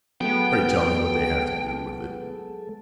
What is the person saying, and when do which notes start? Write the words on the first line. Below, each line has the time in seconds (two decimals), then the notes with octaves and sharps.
Pray tell me what they have to do with it?
0.21 F#3 G#3 A3 B3 A4 G5